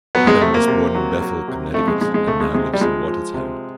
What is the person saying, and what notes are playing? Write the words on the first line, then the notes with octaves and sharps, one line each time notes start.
Haddam was born in Bethel, Connecticut and now lives in Watertown.
F#3 B3
G#3
C3 A3
A#3
C3
F#3
F#3
C3
F2 A3
G#3
F2 G#3
G#3
C#2 A3
G#3
C3 G#3
G3
F3 G#3
F3
C3